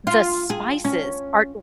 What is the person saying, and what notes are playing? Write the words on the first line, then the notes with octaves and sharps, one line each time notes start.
the spices are,
F4
G#4
C#4